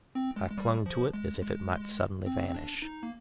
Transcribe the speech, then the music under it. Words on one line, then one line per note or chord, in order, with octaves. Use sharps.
I clung to it as if it might suddenly vanish.
C4
G#3
G#3
G3
F3
G#3
G#3
C4
C4
D4
D#4
A#3